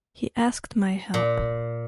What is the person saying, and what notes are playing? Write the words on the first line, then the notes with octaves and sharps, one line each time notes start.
He asked my help.
A#2